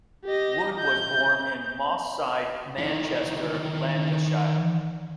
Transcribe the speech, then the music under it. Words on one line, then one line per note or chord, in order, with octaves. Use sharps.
Wood was born in Moss Side, Manchester, Lancashire.
G4 D#5
G6
D#3 E3